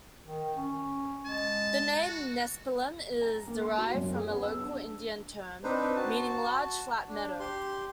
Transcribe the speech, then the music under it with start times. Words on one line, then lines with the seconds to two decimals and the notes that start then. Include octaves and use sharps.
The name Nespelem is derived from a local Indian term meaning "large flat meadow".
0.25 D#3
0.57 C#4
1.26 G#3 A5
2.02 F#4
3.22 A#5
3.48 A#3
3.61 C6
3.78 F#4
3.94 F#2
4.15 G#4
4.30 B3
4.43 E6
4.60 D4
5.64 C4 D4 D#4 B4 C5
5.96 F#4 A5
7.08 D4
7.40 G4 C6